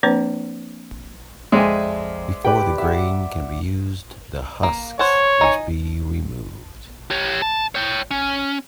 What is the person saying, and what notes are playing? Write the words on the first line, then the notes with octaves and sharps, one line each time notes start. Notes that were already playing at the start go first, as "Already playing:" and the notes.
Before the grain can be used, the husks must be removed.
F3 A#3 C4 D4 B4 C5
F2 G#3 C5 D5 E5 G#5
G4 B4 D5 G5
E5 F#5
A#3
C5 C#5 F#5 A5
D#4 G#5
G4 C#5
A5
C#5 G5
C#4